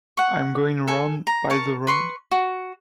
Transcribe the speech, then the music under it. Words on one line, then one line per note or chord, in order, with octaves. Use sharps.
I’m going round by the road.
F#5 C#6
A4 G#5
A#5
A#4 A5 C#6
B4 C6 C#6
F#4